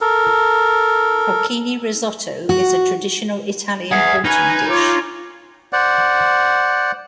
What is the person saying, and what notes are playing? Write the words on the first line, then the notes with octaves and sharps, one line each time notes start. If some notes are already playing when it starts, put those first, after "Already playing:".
Porcini risotto is a traditional Italian autumn dish.
A4 A#4
F#4
G#4 E5 F#5
C#4 D#4 B4 G#5
F4 C#5 D6
C5 D5 F#5